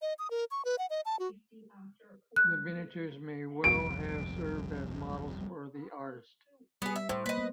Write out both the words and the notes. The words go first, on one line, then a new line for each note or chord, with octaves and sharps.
The miniatures may well have served as models for the artist.
D#5
D#6
A#4
C#6
B4
F#5
D#5
A5
F#4
F#6
G1 C2 F2 D7
G3 B3 G#4
E5
A2 C5
A#3 B4 D#5
B3